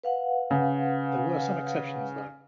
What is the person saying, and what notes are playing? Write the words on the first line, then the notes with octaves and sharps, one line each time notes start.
There were some exceptions though.
B4 F5 F#5
C#3